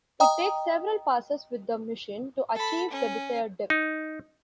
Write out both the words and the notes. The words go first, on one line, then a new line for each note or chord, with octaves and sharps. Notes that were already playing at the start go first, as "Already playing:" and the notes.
It takes several passes with the machine to achieve the desired depth.
D#5 G5 A#5 D#6
A4 B5
C#4
D#4